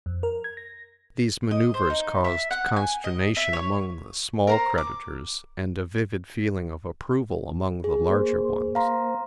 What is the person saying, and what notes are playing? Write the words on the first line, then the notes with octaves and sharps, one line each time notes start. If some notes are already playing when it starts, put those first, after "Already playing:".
These manoeuvres caused consternation among the small creditors, and a vivid feeling of approval among the larger ones.
F2
A#4
G#6
A#6
D#5
C5
D#4
E5
F#5
G#5
D#5
E5
C#5
A#4 C5 A#5
D6
G#4
A#3 C5
F5 A#5 C6